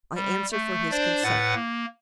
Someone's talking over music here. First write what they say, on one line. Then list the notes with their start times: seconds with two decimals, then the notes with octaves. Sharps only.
"I answer for his consent."
0.15 G3
0.51 A3
0.91 D4 C5 D5
1.23 A2 B4 F#5 A6
1.55 A#3